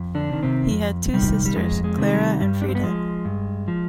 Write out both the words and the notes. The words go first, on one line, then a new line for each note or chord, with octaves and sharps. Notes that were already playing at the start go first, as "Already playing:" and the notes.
He had two sisters, Clara and Frieda.
Already playing: F2
D3 D4
C3 D#3
C3 C4
F2
C3 D#3 G3
G3
F2 G#3
G#3
C3 D#3
G3
G2 G3
D4
C4
B3
F3 G#3
G2
F3